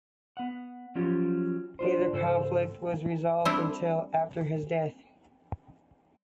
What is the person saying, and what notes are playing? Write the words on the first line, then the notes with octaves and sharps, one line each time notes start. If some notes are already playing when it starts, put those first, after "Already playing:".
Neither conflict was resolved until after his death.
B3 F#5
F3 F#3 C#4 F4 G4
D4 F4 C5
G#2 C#3 A4 C5
G3 C4 D4 E4